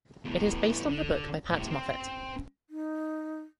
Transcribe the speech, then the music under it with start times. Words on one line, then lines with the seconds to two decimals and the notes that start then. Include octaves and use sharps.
It is based on the book by Pat Moffett.
0.25 E2 A2
0.87 D3
1.50 A2 C3
1.70 C4
2.70 D#4